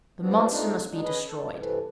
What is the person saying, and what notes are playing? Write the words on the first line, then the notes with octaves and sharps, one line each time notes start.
"The monster must be destroyed."
F3 G3 B3 C4 D4
A3 C4 D4 D#4 F4
D#3 F#3 G#3 D4 D#4
C#4 G#4 B4 D#5
A4
G2 C3 E3 A3